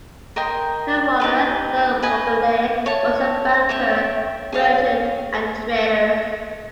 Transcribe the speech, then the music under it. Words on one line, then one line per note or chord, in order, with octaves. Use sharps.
Her father, John Bulkeley, was a banker, merchant and trader.
A#4 D#5 G5 C6
D#4 G4 B4
B4 D#5 G#5
C#5 E5 A5
C#5 E5 G5
G#4 C#5 F5